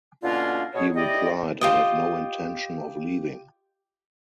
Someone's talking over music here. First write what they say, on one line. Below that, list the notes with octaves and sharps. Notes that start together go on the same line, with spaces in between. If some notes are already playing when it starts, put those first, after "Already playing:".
He replied, I have no intention of leaving.
B2 D3 A#3 C#4 D4 F4
B2 G#4 C#5
E4 G4 D5 D#5
F4 G4 D#5